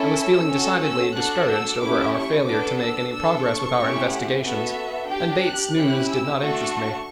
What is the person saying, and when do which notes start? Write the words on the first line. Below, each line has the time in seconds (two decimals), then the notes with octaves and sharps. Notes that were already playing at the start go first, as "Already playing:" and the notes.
I was feeling decidedly discouraged over our failure to make any progress with our investigations, and Bates’ news did not interest me.
Already playing: C#4 E4 A4
0.16 E6
0.48 C#4 F#4 A4
0.82 E6
1.13 D4 F#4 A4 F#6
1.47 E6
1.80 A3 C#4 E4 G4 D6
2.13 C#6
2.45 B3 D4 A4 D6
2.78 E6
3.11 D4 A4 E6
3.44 C#6
3.77 A3 C#4 E4 G4
4.09 F#5
4.42 B3 F#4 A4 E5
5.07 D4 G4 G5
5.41 F#6
5.73 C#4 E4 G4
6.06 E6
6.39 A3 D4 F#4 A4 C#6